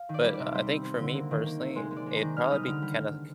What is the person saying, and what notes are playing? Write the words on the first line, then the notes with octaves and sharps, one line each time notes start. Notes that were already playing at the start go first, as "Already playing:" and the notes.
but, uh, I think for me personally, it'd probably be calock
Already playing: F5
D#3
D5
G3
D5
C3
G3 C5
C4
C4
D3
A#3
D#3
A#3
C3
G#3 C5
G#3
D5
G#3
A#5
D#3
G3 F6
G3 D#6
D3 F6
G3